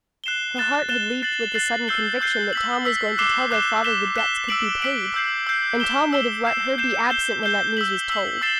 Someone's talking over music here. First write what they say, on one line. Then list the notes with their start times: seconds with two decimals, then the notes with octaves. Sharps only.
Her heart had leaped with the sudden conviction that Tom was going to tell their father the debts could be paid; and Tom would have let her be absent when that news was told!
0.24 F#6 C7 E7 G7
0.57 F#6 A6 E7 G7
0.89 F#6 A6 E7 G7
1.22 F#6 A6 C7 F#7
1.54 F#6 A6 C7 F#7
1.88 E6 G6 C7 G7
2.21 E6 G6 C7 G7
2.53 E6 B6 F#7
2.85 E6 B6 F#7
3.18 D6 F#6 C7 E7 G7
3.51 D6 F#6 C7 E7 G7
3.84 F#6 B6 E7 G7
4.16 F#6 B6 E7 G7
4.49 E6 B6 D7 F#7
4.82 E6 B6 D7 F#7
5.14 E6 G6 C7
5.47 E6 G6 C7
5.80 E6 B6 E7 G7
6.13 E6 B6 E7 G7
6.45 G6 C7 E7
6.78 G6 C7 E7
7.10 G6 C7 E7 G7
7.43 G6 C7 E7 G7
7.77 E6 B6 F#7
8.09 E6 B6 F#7
8.42 E6 A6 C7 E7 G7